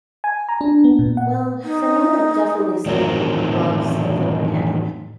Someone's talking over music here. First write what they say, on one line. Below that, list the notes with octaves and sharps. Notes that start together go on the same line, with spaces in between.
Well, for me, I'm definitely somebody who loves to plan ahead.
G#5
A#5
D4
B3
A#2
F#5
D#4
E2 A2 D#3 F#3 C4 A#4